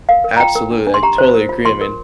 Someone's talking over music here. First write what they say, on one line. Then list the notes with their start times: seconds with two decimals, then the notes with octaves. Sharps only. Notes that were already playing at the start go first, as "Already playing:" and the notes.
Absolutely, I totally agree, I mean,
0.09 A#4 F5
0.24 A#4
0.36 A#5
0.40 F4 G5
0.55 A#4
0.71 D4
0.87 D4
0.94 C6
1.03 G4 A#5
1.18 C5
1.34 A#4
1.49 F4
1.65 F4 C6
1.81 A#4